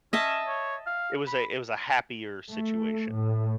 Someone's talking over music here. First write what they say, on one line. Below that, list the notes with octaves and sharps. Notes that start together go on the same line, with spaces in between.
it was a it was a happier situation.
C#4 D#5 E5 A5
C#5
F5
B5
A3
A2